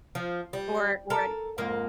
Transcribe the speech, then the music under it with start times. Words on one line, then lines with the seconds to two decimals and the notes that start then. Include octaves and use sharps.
or or
0.15 F3
0.53 G3
1.10 A4 A#4
1.58 F2 G#2 A#3